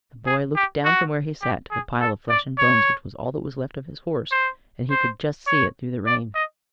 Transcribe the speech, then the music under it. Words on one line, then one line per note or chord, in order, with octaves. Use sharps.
The boy looked down from where he sat to the pile of flesh and bones, which was all that was left of his horse, and he could just see it through the rain.
G#4
G4
F#4
G4
G#4
A4
D5
C#5
C5
C5
C#5
D5
D#5